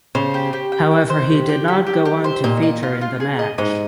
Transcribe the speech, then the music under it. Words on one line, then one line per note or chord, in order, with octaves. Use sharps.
However he did not go on to feature in the match.
C#3 C5
G4
G4
G5
G5
C5
G4
G4
G4
G4
G4
C5
A#2 D#5
D#5
F4
F4
G#4
D#5
G#2 D#5